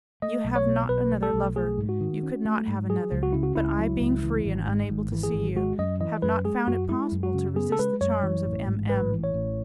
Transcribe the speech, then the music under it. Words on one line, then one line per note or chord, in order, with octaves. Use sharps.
You have not another lover; you could not have another; but I being free and unable to see you, have not found it possible to resist the charms of M---- M----.
A3 D#5
B1
C#5
B2
B1 B4
A3
A4
B1
A3 G#4
G#2
F#4
D#3
C#4
A3
G#2
F#3 G#4
C#2
F#4
C#3 E4
F#4
C#2 E4
F#3
C#2
E3
G#1
G#2
G#1
E3
G#4
G#1
G#3 F#4
F#2 D#5
E3 D#5
F#2 B4
G#3 G#4
F#2 F#4
G#3 E4
F#2
F#4
C#3
B3 G#4
A4
G#3 B4
F#2 C#5
E3
A1
G#2
A1 B4
E3
C#5
A1